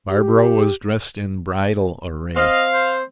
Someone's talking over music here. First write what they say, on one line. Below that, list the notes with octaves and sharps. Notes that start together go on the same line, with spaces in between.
Barbara was dressed in bridal array.
G4
C4 D#5 F5
C5